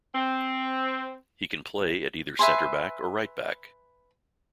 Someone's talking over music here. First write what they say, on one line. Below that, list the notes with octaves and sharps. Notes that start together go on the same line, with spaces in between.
He can play at either centre back or right back.
C4
B4 E5 G#5 C6